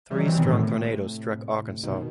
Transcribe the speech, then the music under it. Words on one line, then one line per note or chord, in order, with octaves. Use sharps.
Three strong tornadoes struck Arkansas.
E3 G3
D#3 F#3
C3 E3
B2 D#3
A2 C3
B2 D#3